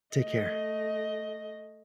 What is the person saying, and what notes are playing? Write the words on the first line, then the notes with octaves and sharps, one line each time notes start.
Take care.
A3 D#5